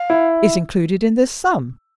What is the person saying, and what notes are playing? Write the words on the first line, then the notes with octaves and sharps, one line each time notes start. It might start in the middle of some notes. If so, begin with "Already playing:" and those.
"Is included in this sum."
Already playing: F5
E4